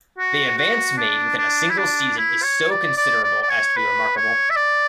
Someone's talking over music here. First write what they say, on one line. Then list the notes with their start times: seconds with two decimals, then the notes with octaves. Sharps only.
The advance made within a single season is so considerable as to be remarkable.
0.19 F#4
0.58 F#4
0.97 D4
1.38 D4
1.70 E4
1.78 D4
2.18 E4
2.43 C#5
2.70 D5
2.97 D5
3.23 D5
3.42 D5
3.49 C#5
3.76 B4
4.16 C#5
4.50 E5
4.56 D5